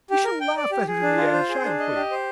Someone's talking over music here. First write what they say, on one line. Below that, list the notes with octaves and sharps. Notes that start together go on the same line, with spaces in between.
We shall laugh at it in the end, shan't we?
G4
A#4
G5
D5
G4
G#4
D4
F4
C5
G#4
D4
D#5
G4
C5